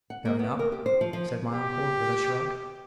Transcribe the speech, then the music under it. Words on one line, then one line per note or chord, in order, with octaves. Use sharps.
"Going up!" said my uncle, with a shrug.
F#5
A#3
B3
A#4
G4
C5
F3
F3
G4